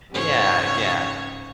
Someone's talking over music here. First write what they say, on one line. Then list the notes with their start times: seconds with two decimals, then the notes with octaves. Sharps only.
Yeah. Yeah.
0.13 G#2 C#3 C#5